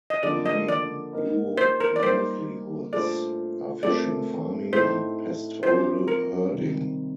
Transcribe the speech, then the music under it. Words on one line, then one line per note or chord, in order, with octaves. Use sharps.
The main Luo livelihoods are fishing, farming and pastoral herding.
D#5
D3 F3 A#3 D4 D5
D#5
D5
A#3 D#4 A#4 D#5
C5
A#4
D5
G3 A#3 D#4 G4 A#4 C5
A#2 A3 D4 F4 C5 D5
A#2 A3 C4 G4 A#4 D5
A2 A3 D#4 C5
F3 C4 G4 C5
A#4
C3 D#3 G3